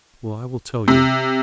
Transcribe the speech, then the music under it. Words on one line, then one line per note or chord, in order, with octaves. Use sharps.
Well, I will tell you.
C3